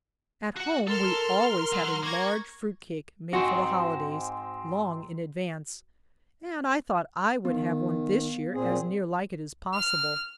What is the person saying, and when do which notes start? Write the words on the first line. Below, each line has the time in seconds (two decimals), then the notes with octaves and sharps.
At home we always had a large fruit cake made for the holidays, long in advance, and I thought I would have one this year as near like it as possible.
0.56 F#4 F#5
0.87 A4 A#4 C6 F6
1.73 F#3
2.03 A#3 C#6 G#6 A#6
3.33 G#2 G#3 C4 F#4
7.45 D#3 B3
8.54 A#2 C4 G#4
9.73 F6